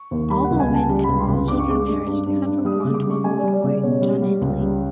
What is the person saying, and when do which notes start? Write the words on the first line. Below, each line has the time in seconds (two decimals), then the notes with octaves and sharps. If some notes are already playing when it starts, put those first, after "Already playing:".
All women and all children perished except for one twelve-year-old boy, John Hindley.
Already playing: C#6
0.11 D#2
0.30 G3 B5
0.44 F#5
0.50 C#2
0.60 G#5
0.69 C#2 A5
0.89 G3
1.04 C#2 B5
1.19 C6
1.28 C#2
1.48 G2 D6
1.59 C#6
1.68 G#3 D6
1.86 G2
2.07 G2
2.26 G2
2.46 G2
2.65 G3 D#6
2.80 C#3 D6
2.94 D6
3.05 G3
3.10 C#6
3.24 G3 G#5
3.39 G3 D5
3.53 D5
3.64 C#3 D5
3.83 B2 C#5
4.02 G3
4.22 G3
4.41 C#2
4.61 G3